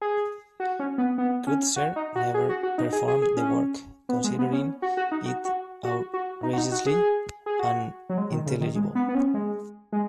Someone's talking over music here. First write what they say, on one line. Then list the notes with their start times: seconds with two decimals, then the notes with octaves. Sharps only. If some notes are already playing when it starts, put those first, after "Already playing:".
Kreutzer never performed the work, considering it "outrageously unintelligible".
0.01 G#4
0.60 F#4
0.80 C#4
0.98 B3
1.18 B3
1.47 C#4
1.76 F#4
1.96 D#4
2.16 F#4
2.34 G#4
2.49 F#4
2.63 F#4
2.78 D#4
2.93 G#4
3.08 G#4
3.22 G#4
3.37 C#4
4.09 B3
4.24 G#3
4.39 B3
4.53 C#4
4.82 F#4
4.97 F#4
5.12 D#4
5.26 F#4
5.45 F#4
5.85 F#4
6.14 F#4
6.43 D#4
6.53 F#4
6.58 D#4
6.72 F#4
6.86 G#4
7.46 G#4
7.59 F#4
8.10 F#3
8.18 G#3
8.32 D#3
8.46 C#3
8.61 D#3
8.76 G#3
8.95 B3
9.08 B3
9.15 C#4
9.34 G#3
9.92 G#3